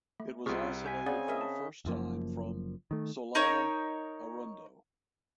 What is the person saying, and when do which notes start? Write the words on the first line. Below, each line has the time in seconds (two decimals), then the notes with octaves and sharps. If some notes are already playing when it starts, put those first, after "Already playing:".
It was isolated for the first time from "Solanum arundo".
0.20 A3
0.46 C2 C3 F4 G#4 C#6 F6
0.86 G#5 G6 B6
1.06 C#3 C4 G#4 D5 F#5
1.28 G#4 A#4 D#5 E5
1.41 A5
1.85 F#1 F#2 F3 A#3
2.91 D#3 A3
3.35 D#4 A#4 C#5